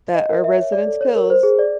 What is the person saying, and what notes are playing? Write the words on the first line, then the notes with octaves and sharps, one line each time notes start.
that our residents' pills
D#5
A#4
E5
C#5
D5
A4
C#5
A#4
C5
G#4
D5